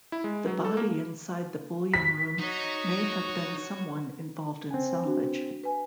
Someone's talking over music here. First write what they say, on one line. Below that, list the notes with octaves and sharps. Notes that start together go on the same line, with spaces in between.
The body inside the bullion room may have been someone involved in salvage.
E4
G#3
F#3
A4
A#3
B6
D#4 F#4 C#5
C4 F#5 G#5
D4 F#4
B4 G#5